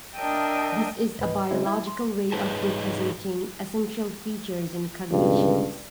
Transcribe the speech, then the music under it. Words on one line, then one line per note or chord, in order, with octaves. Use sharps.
This is a biological way of representing essential features in cognitions.
D4 A#4 D#5 E5 G5 A5
C#2 G#2 B4 D#5
C#3 G#3 C4 E4
E4
C6
G#2 D#4 G#4 B4 C#5 A5
C#2 G2 B2